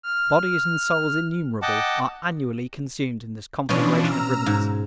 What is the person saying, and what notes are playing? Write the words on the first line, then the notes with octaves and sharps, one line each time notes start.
Bodies and souls innumerable are annually consumed in this conflagration of ribbons.
F6
D#5 F#5 G5 A5 D6
B2 E3 F3 C#4 D4
A#5 E6 F6
G#2